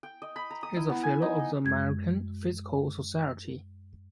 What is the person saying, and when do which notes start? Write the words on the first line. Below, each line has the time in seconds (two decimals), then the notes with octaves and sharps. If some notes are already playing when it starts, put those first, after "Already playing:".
He is a Fellow of the American Physical Society.
0.03 G5
0.22 D#5
0.36 B5
0.51 A#5
0.63 D#6
0.76 E4
0.89 B3
1.03 G#5
1.22 D#4
1.39 D#5
1.65 F#2 G#3 G#6